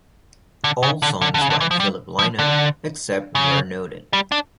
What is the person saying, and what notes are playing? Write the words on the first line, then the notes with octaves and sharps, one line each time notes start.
All songs by Philip Lynott, except where noted.
D3
C#3
D3
D3
D3
C#3
D3
E3
F3
G3
F3
D3
C#3
G3
D4